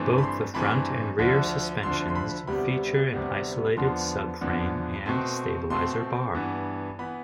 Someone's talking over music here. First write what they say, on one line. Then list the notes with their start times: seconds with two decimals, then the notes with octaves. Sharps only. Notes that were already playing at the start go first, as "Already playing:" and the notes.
Both the front and rear suspensions feature an isolated subframe and stabilizer bar.
Already playing: G2 E3 A3 C4
0.18 B5
0.22 C6
0.54 G2 E3 A3 C4 B5
1.19 D2 D3 F3
1.83 D2 D3 F3 C6
2.08 C6
2.15 B5
2.47 D2 C3 G3 B3 B5
3.13 D2 C3 G3 B3
3.77 E2 D3 F3 B3 C6
4.41 E2 D3 F3 B3
5.06 B2 A3 C4
5.70 B2 A3 C4 C6
6.34 G2 E3 B3
6.99 E3 B3 B5